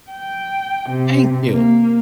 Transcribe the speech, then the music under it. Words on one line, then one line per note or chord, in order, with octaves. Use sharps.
Thank you.
G5
C3
A#3